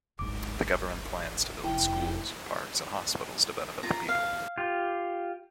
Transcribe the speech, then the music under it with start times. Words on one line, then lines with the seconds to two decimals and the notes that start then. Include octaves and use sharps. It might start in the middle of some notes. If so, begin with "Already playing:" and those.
The government plans to build schools, parks, and hospitals to benefit the people.
0.19 D1 G#1 G#2 D6
1.64 F1 E4 G5
3.83 F4 A#5
4.09 F5
4.58 F4 G4